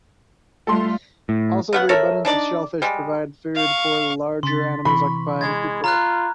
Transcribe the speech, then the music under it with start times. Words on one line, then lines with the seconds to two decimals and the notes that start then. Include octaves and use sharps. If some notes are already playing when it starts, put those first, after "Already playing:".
Also the abundance of shellfish provide food for the larger animals occupying Upo.
0.67 G3 A3 F4 A4 C6
1.29 A2
1.73 C#3 B3 F#5
1.89 A4 A#4 C#5 E5
2.25 D4 D#4 D5
2.82 G3 G#3
3.56 F5 C#6
4.43 C#3 C6 A6 B6
4.85 C3 E3 B5 C#6
5.41 G#3 G#6 A6
5.84 F4 A#5 F6 F#6